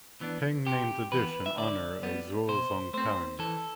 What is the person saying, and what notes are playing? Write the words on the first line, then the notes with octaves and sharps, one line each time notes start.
Peng named the dish in honour of Zuo Zongtang.
E3 B3 D4
C3 G4
E3 B3 B4
E5
D3 D5
G3 B3
B2 C5
A3 C4 C5
E3 A4